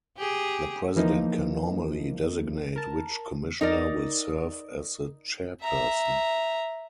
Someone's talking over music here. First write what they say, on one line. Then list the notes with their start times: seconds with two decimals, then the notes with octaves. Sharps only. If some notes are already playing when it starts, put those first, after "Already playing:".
The president can normally designate which commissioner will serve as the chairperson.
0.18 G4 G#4
0.96 E3 F3 A#3 D#4
2.76 A#4 A5
3.61 D#4 A#4 D5
5.61 E5 A#5